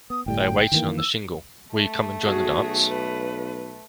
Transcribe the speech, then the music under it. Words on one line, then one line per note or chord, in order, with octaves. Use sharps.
They are waiting on the shingle—will you come and join the dance?
B3 D#6
G1 A2 G3 G5
D#3 E3 A#3
E6
A3
B1 F#4 G#4
B4